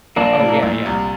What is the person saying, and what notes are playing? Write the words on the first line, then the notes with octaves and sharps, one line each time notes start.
Oh, yeah, yeah.
A#1 A#3 D4
A2
A#1
C2